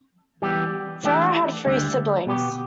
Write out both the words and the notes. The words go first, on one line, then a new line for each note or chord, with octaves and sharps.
Ferrer had three siblings.
E3 G3 B3 G4
E3 A3 D4 G4
D2 D3 G3
B2 B3 G4